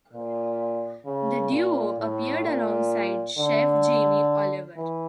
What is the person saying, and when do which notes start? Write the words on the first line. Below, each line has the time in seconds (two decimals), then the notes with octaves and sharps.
The duo appeared alongside chef Jamie Oliver.
0.13 A#2
1.05 C#3
1.52 A#2
1.99 A2
2.44 A#2
3.38 D3
4.76 E3